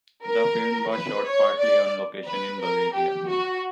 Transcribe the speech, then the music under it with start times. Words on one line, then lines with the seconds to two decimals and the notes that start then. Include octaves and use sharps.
The film was shot partly on location in Bavaria.
0.24 A#4
0.91 B4
1.25 C#5
1.59 D5
2.26 B4
2.60 A#4
2.94 G4
3.28 F#4